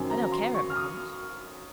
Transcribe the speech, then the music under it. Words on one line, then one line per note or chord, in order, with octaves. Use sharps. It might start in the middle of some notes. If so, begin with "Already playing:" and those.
I don't care about it.
Already playing: F#2 D#3 F#3 C4 G#5
A#5
A#5
C6
C#6
F6
D#6